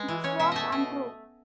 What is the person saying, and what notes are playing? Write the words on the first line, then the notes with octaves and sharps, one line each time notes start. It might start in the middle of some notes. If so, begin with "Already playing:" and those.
This was untrue.
Already playing: G#3 B4
E3
C#4 C#5
B2 E5
A3 D#5 E5
B2 D#5